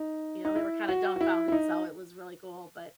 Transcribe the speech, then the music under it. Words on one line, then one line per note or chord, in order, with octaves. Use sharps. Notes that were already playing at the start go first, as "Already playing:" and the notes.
You know, they were kinda dumbfounded, so, it was really cool. But
Already playing: D#4
D#4
E4
F#4
F#4
E4
E4
D#4